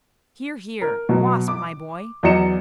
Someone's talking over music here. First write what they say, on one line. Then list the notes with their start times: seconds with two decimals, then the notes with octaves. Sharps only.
"Here, here, Wasp, my boy."
0.82 A#4
1.09 B2 F#3
1.48 D6
2.23 E2 F#3 D5 D#5 C#7 E7